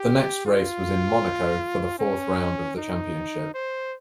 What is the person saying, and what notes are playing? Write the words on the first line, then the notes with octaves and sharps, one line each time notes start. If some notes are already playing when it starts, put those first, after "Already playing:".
The next race was in Monaco for the fourth round of the Championship.
Already playing: G4
F4
C#4
D#4
C5